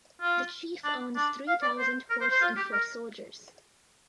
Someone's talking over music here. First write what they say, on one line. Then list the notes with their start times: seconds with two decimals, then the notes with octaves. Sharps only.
This chief owns three thousand horse and foot soldiers.
0.21 F4
0.84 D4
1.16 D4
1.47 F5
1.62 D5
1.79 C5
2.10 A#4
2.21 C5
2.31 C5
2.41 F4
2.57 G4
2.73 A#4